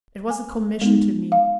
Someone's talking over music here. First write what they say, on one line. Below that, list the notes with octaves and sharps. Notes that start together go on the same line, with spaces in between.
It was a commission to me!
G#5
G#3 B3 D#4
F5